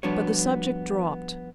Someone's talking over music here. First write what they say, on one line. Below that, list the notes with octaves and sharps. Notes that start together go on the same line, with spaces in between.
But the subject dropped.
F3 G3 B3 D4 F#4 C#5